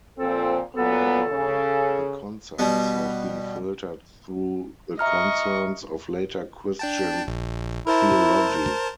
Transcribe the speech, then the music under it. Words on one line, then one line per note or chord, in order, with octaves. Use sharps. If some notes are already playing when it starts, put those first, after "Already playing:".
However the concepts have been filtered through the concerns of later Christian theology.
A#2 F3 C4 A4
A#2 F#3 B3 A4
C#3
B2 G3 B3
D#5 E5 A#5 C#6 F6
D4 G5 A5
A#1
E4 A#4 C5 A5